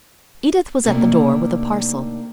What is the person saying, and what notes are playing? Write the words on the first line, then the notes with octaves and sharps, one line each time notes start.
Edith was at the door-with a parcel.
A2 C3 D#3 G#3 A#3 D4